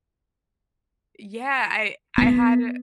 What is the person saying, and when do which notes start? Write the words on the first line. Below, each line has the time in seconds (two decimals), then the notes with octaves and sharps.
Yeah, I I had a
2.18 B3